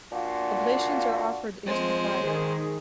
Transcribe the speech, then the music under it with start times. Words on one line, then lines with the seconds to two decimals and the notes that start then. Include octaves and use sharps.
Oblations are offered into the fire.
0.13 A#2 D4 F4 F#4
1.66 F3 G#3 C4 C5
2.24 D#3 G#4